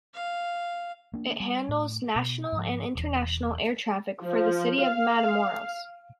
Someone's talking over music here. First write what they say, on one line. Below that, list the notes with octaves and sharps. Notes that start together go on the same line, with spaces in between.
It handles national and international air traffic for the city of Matamoros.
F5
A#3 D4
G3
A2
B2
G#2 F3
E1 E2
F3
F5